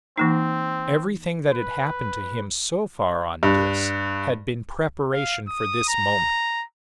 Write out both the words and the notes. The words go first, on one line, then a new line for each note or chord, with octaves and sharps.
Everything that had happened to him so far on Dis had been preparation for this moment.
E3 A#3 C4 D#4
B4
G2
F5
D#6
A#5